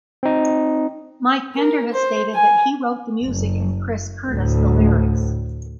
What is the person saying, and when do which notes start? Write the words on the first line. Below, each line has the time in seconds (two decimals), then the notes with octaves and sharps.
Mike Pender has stated that he wrote the music and Chris Curtis the lyrics.
0.23 C4 D#4
1.56 A#4
1.93 C5
2.35 G#5
3.25 F#1
4.29 D2 A2